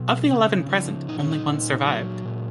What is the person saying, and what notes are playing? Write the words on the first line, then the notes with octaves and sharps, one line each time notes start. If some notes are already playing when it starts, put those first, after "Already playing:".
Of the eleven present, only one survived.
Already playing: B2 F#3
C#3
F3
A#2 D#4
C#4
D#4
A#2
F#3
A#2